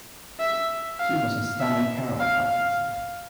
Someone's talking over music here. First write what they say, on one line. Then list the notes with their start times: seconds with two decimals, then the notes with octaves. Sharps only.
She was a standard caravel-type vessel.
0.40 E5
0.99 F5
1.60 E5
2.20 F5
2.50 F5